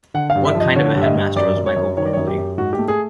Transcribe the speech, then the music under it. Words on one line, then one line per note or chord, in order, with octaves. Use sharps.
What kind of a Headmaster was Michael Gormally?
D3 F#5
F5
G2
E5
F3
D#5
D3 C#5
G2
E5
D#5
G2
F#2 D5
F#2
C#5
F#2
D#3 C#5
D5
F#2 C#5
G4
F#2
G#2 F#4
G4
A3
G#4